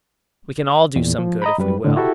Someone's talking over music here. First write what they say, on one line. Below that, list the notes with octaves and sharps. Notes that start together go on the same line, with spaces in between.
We can all do some good, if we will.'
E2 A#2
F3
D#5 A#5 B5
F#2 G3 B4
A2 D3
E4 F#4 G4 A4 E5